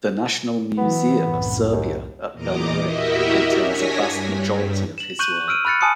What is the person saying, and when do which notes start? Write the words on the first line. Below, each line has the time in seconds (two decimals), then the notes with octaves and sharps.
The National Museum of Serbia at Belgrade contains a vast majority of his work.
0.78 E3 F#3 B3
1.23 C2 F#2 A2
1.72 D#2
2.33 E2 A#2 D#5 A#5 D6
2.84 E4 F#4 G4 A#4 D#5 E5
3.56 D4 C#5 G#5 A#6 B6
4.03 G2
4.98 E7 F#7
5.19 C#6 F#6 G6 D#7 F#7
5.48 E6 F6 D7 D#7
5.65 B5 F6 F#6 A6 C#7
5.81 G#5 A5 D#6 F#6 C#7